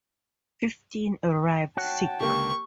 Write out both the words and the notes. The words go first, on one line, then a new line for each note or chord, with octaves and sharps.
Fifteen arrived sick.
F#4 C#5 F#5 G5 A5
C#2 D3 A#3 G4 C#6